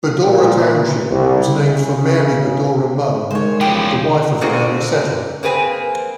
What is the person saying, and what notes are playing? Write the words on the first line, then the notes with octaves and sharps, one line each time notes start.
Badoura Township was named for Mary Badoura Mow, the wife of an early settler.
A#2
C2
C#3
D#3 G#3 C5 C#5
E2 A#2 C#3 E3 F3 G4 G5
D3 A#3 C4 F#4 G#4 A4
A#3 C4 G#4 B4 G#5